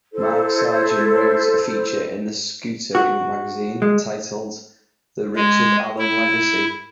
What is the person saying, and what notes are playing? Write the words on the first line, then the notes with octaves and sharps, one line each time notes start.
Mark Sargeant wrote a feature in "Scootering Magazine" titled "The Richard Allen Legacy".
E4 A4 C5
F#4
G#3
G#3
E4